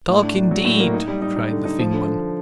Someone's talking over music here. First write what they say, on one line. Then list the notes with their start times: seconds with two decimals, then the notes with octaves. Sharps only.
"Talk indeed!" cried the thin one.
0.09 A2
0.23 D4
0.37 D4
0.51 F#3
0.65 A2
0.80 A#3
0.94 D#4
1.08 G3
1.22 D#4
1.36 D#4
1.51 D3
1.65 D#4
1.79 F3
1.93 D3
2.08 D3